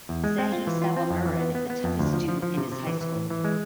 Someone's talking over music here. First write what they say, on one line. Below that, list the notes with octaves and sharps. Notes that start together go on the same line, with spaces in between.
Seiji Sawamura is the toughest student in his high school.
E2
G#3
C4
F4
E3
F4
C4
F2
E3
B3
B3
B3
F2
D2
F3
F3
F3
C3
C3
E3
E3
A2
E3
G#3